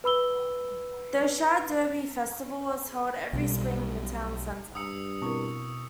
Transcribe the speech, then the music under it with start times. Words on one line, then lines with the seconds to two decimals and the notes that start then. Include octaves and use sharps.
The Shad Derby Festival is held every spring in the town center.
0.04 B4 B5 E6 G7
3.33 B1 B2 G3
4.75 G2 D#6 E6 C#7
5.22 B2 C4 E4 A#4 C#6